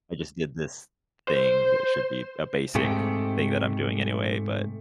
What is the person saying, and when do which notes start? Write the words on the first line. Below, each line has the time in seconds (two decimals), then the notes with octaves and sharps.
"I just did this thing that should be a basic thing that I'm doing anyway," but
1.28 C5
2.75 G#2 C3 A3 G4